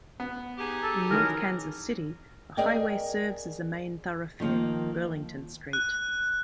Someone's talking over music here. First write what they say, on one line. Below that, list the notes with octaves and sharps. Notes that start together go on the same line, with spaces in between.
In North Kansas City, the highway serves as a main thoroughfare, Burlington Street.
B3
D#4 G4 G#4
A4
D#3 E3 F#3 A#4
G#4 A#4 D5 D#5 G5
D#3 F3 A#3
F#6